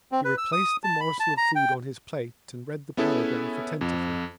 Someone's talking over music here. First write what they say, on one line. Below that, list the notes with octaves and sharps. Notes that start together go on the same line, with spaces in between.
He replaced the morsel of food on his plate and read the paragraph attentively.
C4
B4
E6
D#6
A5
B5
A5
A#5
G5
B3 C#4 E4 G#4 A4 B4
F2